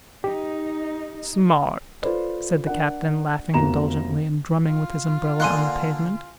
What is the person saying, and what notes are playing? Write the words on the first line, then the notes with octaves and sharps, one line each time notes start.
"Smart," said the captain, laughing indulgently, and drumming with his umbrella on the pavement.
D#4 G4
F4 A4 B4 C5 D5
D4 A#4 F#5
F1 E2 A#3 F#4 A#5 E7
F4
D3 A#3 G#5 C6 F#6